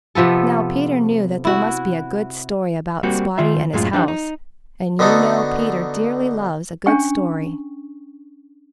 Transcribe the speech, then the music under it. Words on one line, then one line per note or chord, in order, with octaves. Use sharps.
Now Peter knew that there must be a good story about Spotty and his house, and you know Peter dearly loves a good story.
C3 F3 B3 A4
E4 F#4
G3 A#3 C4 F#4
D#3 F4 E5
F#2 A2 G#3 F4
F3 D4 D#4 G4
D#4
D3 B3 D#4 F#4 A4
C#4 D4 G5 C#6